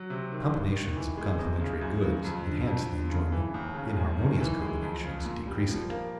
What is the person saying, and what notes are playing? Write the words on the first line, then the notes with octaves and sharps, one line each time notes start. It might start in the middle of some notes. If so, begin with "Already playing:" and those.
Combinations of complementary goods enhance the enjoyment; inharmonious combinations decrease it.
Already playing: F#3
C3
D#3
G2
D#3
E3
G#3
E2
C#3
F#2
C#3
F2
D3
F2
D3
C#3
E3
D#2
C#3
F#2
D#3
E3
G#3
F2
C#3
A#2
G3
F3
A#3